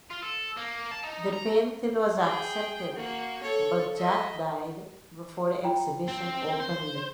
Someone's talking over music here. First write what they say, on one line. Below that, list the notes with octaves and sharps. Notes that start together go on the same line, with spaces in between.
The painting was accepted but Jack died before the exhibition opened.
F4
A4
A#3
A5
D#4
A#5
G#4 G5
A#3 F#4
A4 C#5
D#5 E5
F4 G5 A#5
C4
C5